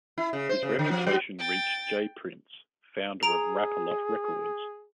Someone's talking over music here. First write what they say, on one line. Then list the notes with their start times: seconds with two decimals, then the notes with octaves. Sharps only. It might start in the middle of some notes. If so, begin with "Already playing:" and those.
His reputation reached J Prince, founder of Rap-A-Lot Records.
0.18 E4
0.33 C#3
0.49 C5
0.63 C#3
0.79 D3
0.91 F3
1.06 F#3
1.39 G5 A6
3.23 G#4 A#5 D7 F7